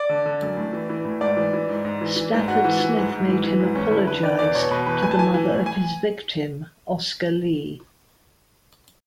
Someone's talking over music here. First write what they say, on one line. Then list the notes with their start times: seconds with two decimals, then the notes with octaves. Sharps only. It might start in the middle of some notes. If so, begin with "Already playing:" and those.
Stafford Smith made him apologize to the mother of his victim, Oscar Lee.
Already playing: D5
0.09 D3
0.26 D3
0.42 F#2
0.57 A2
0.73 E3
0.89 E3
1.05 A2
1.21 G#2 D5
1.37 E3
1.53 E3
1.69 G#2
1.85 G#2
2.01 E3
2.16 E3
2.32 G#2
2.48 G#2 F#4
2.64 E3
2.80 E3
2.96 G#2
3.12 G#2
3.28 E3
3.43 E3
3.59 G#2
3.75 E2 C#4
3.91 D3 E4
4.07 D3 B4
4.23 E2 D5
4.39 E2 D5
4.55 B2 C#5
4.71 B2 B4
4.86 E2 B4
5.02 A2 G#5
5.11 A5
5.19 E3 G#5
5.34 E3
5.50 A2
5.66 G#5